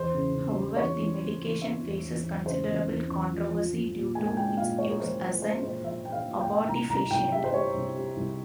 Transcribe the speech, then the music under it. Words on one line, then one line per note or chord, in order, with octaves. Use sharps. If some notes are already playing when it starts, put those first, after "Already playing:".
However, the medication faces considerable controversy due to its use as an abortifacient.
Already playing: E2 C5
C#3
C#3
G3
E3 C#5
E3
G3
E3
E3 E5
E2
E3
E2
C#3 C5
E3
E2
E2
F3
F3
F3
A#2
G#3 G#5
G#5
G#3 G5
A#2 F5
G#3 C#5
A#4
F3 C5
F3
G#3 C5
A#2 C5
F3 E5
A#2 G5
F5
A#2
F5
G5
A#2
C2 A#5
C2 A#5
C2 G5
G3 E5
C5
G3 C#5
C2
G3
C2